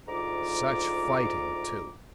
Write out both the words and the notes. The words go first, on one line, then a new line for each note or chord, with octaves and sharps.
Such fighting, too!...
D2 G#2 F4 A#5 D6